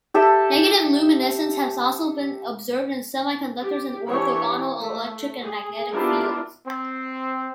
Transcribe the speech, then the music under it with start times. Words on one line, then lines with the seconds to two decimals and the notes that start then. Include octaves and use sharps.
Negative luminescence has also been observed in semiconductors in orthogonal electric and magnetic fields.
0.14 G4 A4 E5
3.63 G4
4.09 E3 D4 G4 C#5
4.78 A3
5.42 G#4
5.92 B3 D4 E4 F4 G4 A#4
6.66 C4